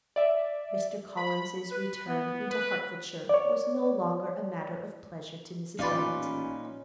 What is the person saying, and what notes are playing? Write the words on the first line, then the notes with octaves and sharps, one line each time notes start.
Mr. Collins's return into Hertfordshire was no longer a matter of pleasure to Mrs. Bennet.
D5 E5
B5
B4
B3
B4
C#5 D5
A1 A#2 C#4 D#4 F4 B4 D5 F5